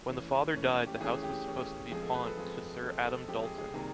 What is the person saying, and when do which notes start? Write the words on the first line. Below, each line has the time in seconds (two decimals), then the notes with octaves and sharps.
When the father died the house was supposed to be pawned to Sir Adam Dalton.
0.09 E3 A3 C#4
0.55 E3 A3 C#4
0.87 G4
1.01 E3 A3 C#4 G#4
1.23 G4
1.47 E3 A3 C#4
1.92 F3 G#3 C4 G#4
2.03 A4
2.14 B4
2.26 A4
2.37 F3 G#3 C4 G#4
2.83 F3 G#3 C4 A4
3.05 A4
3.28 F3 G#3 C4 G4
3.43 G#4
3.58 G#4
3.74 C3 D#3 G3 A#3 G#4